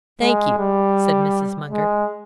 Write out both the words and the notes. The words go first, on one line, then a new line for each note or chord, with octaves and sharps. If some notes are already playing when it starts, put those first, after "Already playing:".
"Thank you," said Mrs. Munger.
G#3
G3
G#3